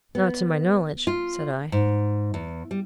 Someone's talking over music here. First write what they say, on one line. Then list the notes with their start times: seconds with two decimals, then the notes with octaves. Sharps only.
"Not to my knowledge!" said I.
0.15 B3
1.07 F4
1.72 G#2
2.34 E2
2.71 G3